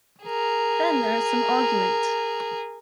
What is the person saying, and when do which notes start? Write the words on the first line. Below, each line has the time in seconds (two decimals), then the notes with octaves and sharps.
Then there is some argument.
0.24 G#4 A#4